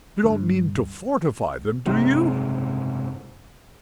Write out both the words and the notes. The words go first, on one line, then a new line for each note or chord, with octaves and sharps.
You don't mean to fortify them, do you?'
D2 G2
F#1 G#2 C3